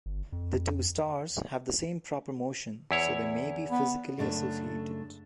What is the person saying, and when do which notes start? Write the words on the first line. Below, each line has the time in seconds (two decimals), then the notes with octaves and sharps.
The two stars have the same proper motion, so they may be physically associated.
0.06 G1
0.33 F2
2.91 E2 E4 C#5
3.70 B3
4.18 F#2 C#3 A3 D4